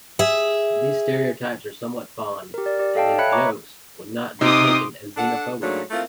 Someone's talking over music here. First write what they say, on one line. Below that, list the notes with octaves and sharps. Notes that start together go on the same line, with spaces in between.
These stereotypes are somewhat fond, and these jokes would not be taken as xenophobic.
G#4 E5
G4 A#4
D5
G4 D5
A4 D#5 F5 G5 A5
C#5 E5 B5 F#6 C#7
C#5 D#5 A#5 C#6 D6
C3 D#4 C6 D6 D#6
D4 A4 F#5
G#2 F#3 A3 A#3 D4
A3 A#3 C4 E4 F4